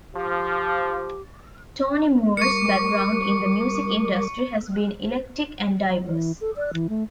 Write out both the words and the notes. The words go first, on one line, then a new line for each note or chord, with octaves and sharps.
Tony Moore's background in the music industry has been eclectic and diverse.
F3 G4
G3 A#4 C#6 D6 C#7
F#3
E3
A4
D5
E3
A3